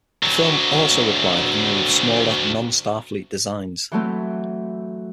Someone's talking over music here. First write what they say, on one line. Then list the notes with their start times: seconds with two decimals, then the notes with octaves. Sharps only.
The film also required a number of smaller non-Starfleet designs.
0.23 D2 F#3
3.92 E3 F#3 A3 C4